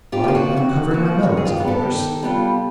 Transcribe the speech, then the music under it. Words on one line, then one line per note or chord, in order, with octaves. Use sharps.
"Why, I am covering my melons, of course!"
F4 G4
F3 A#3 F4
F#4
C3 F#4
F3 A#3 F#4
D#3 F#4
G#4
F4 G4
G3 B3 D4 F4
G4 A4
D#3
G3 B3 D4 F4